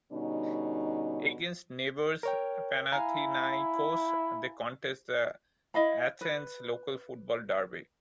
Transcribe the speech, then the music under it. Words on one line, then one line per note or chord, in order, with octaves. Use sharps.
Against neighbours Panathinaikos, they contest the Athens local football derby.
B2 D3 G3 C#4 D#4
A#4 C#5 G5
E4 F5 G#5 A#5
E4 D#5 F5 B5
B4